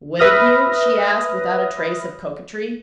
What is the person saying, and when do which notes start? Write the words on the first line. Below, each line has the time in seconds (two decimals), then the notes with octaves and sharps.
"Wouldn't you?" she asked, without a trace of coquetry.
0.19 B4 E5 D#6 F6 A#6